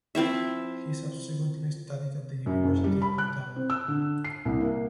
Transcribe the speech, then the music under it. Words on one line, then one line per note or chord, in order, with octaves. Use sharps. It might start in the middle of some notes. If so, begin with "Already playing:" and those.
He subsequently studied at the University of Ottawa.
F3 C4 E4 E5
F#2
F#1
G3
B5
F#6
C4
E6
D3
C7
C2
A#3